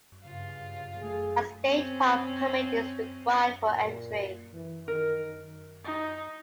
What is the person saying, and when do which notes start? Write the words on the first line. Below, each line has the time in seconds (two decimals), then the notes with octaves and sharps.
A state park permit is required for entry.
0.23 G2 C#3 F4
0.99 F#1 A3 G#4
1.66 C4 C#4
3.69 A#2
4.53 E3
4.88 D#3 A#4
5.84 D#4